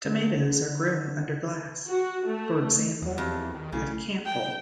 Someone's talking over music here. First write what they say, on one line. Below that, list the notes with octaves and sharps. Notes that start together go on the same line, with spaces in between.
Tomatoes are grown under glass, for example at Campile.
D3
F#4
A3
E2
F2 F#4 G4
D#3
B1 C#3 A3 E4 A4
G5